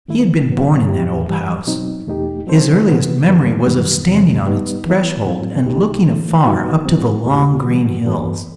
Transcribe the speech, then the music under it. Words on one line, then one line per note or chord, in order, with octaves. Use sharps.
He had been born in that old house; his earliest memory was of standing on its threshold and looking afar up to the long green hills.
D#3 A3 E4
F#2 F#3 B3
A2 F#3 C4 E4 G4
G2 E3 G3
B2 F#3 C4 D#4
E2 B2 A3 D#4 G4
F#3 C4 D#4 A4 C5
C3 E3 B3 E4
F#2 D#3 G3 B3
F#2 D#3 G3 B3
E2 C3 E3 G3
G3 B3 D#4
E3 B3 E4
A2 F#3 C4 E4
C2 B2 A3 D#4 G4
E3 A3 E4
B2 G3 B3 D#4 F#4
A2 G3 C4
E2 B2 A3 E4 G4
E3 G3 B3 F#4
G2 E3 B3 F#4 A4